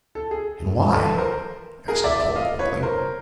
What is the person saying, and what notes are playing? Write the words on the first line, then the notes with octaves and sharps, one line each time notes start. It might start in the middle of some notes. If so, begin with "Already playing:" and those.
"And why?" asked Nicholl quickly.
A4
G#4
A4 B4
A#4 C5
G#4 A#4
D5 E5
D5 E5
D#5 F5
B4 C#5
A#4 C5